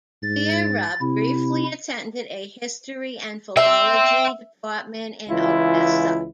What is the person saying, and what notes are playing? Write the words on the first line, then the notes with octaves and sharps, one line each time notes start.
Vera briefly attended a History and Philology department in Odessa.
G#2 A6
C3 E4
E5 G5 C6
C#2 E3 E4 F4